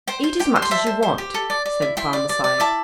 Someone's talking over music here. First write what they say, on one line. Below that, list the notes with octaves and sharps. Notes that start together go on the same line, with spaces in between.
"Eat as much as you want," said the Barmecide.
C5 G5 C6
C5
G4 G5
C5
C6
C5 E5 A5
C5
C5
G4
A4
D5
D5
E4
E4 G5 C6
D5
D5
D5
E4 A5 D6